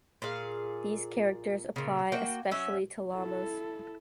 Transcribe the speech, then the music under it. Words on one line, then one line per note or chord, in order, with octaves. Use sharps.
These characters apply especially to llamas.
A#2 G#4 F5
A#2 C#3
A#3 F#4 G5
F#3 C#4 E5
E4 A4